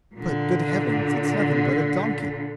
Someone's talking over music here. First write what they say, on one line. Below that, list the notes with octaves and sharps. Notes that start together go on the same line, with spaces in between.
'But, good heavens, it's nothing but a donkey!'
A#2 D3